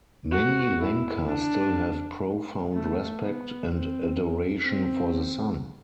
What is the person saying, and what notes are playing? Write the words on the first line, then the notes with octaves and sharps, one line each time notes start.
Many Lenca still have profound respect and adoration for the sun.
F#4
E4
D4
A3
B3
C4
C4